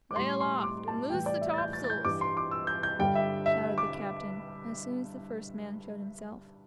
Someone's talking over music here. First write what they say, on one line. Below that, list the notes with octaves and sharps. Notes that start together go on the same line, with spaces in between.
"Lay aloft and loose the topsails!" shouted the captain, as soon as the first man showed himself.
D6
A2 G3 C6
C6
D6
A5
A2 E3 G3 G5
D5
E5
A6
G6
A6
A6
G6
G2 E3 G3 D6
C6
D6
E6
G6
G6
G2 D3 G3 G5
E5
E5
D6